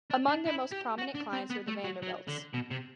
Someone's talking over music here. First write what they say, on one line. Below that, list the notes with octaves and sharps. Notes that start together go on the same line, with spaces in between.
Among their most prominent clients were the Vanderbilts.
D4
D4
E4
G4
F#4
D4
C4
B3
A3
F#3
F#3
D3
B2
C3